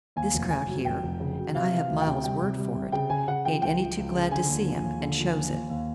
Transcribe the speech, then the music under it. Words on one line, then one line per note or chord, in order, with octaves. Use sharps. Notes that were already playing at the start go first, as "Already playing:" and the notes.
This crowd here--and I have Miles' word for it--ain't any too glad to see him, and shows it.
D#2 G#5
F1
F1 G#5
F#3
F1 G5
F1
C#3
F#3
C3 F5
E3
F5
D2
G5
C3
G3 G5
C3
G3
C3
C#3 G5
C#3 G#5
C#3 F#5
F3 G5
C#2 G5
F3
C#2
C#3
D3 G#5
D#2
F3
D#2
D3
F3
D#2
D#2
D#2